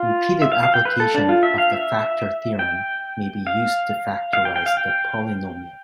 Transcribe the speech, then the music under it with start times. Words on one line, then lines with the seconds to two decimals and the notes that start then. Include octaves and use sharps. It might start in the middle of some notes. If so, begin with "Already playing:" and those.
Repeated application of the factor theorem may be used to factorize the polynomial.
Already playing: F4
0.42 E5
0.52 F5
0.63 F5
0.74 G5
0.85 B4
1.00 A4
1.15 D4
1.29 F4
1.43 E5
1.58 F5
1.72 E5
2.59 G5
3.47 F5
4.33 F5
4.45 G5
4.56 G5
4.66 F5
4.77 G5